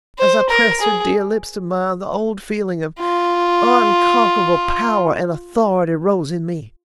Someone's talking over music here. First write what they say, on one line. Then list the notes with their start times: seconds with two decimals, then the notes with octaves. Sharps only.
As I pressed her dear lips to mine the old feeling of unconquerable power and authority rose in me.
0.19 C5
0.50 A#4
0.81 G#4
3.00 F4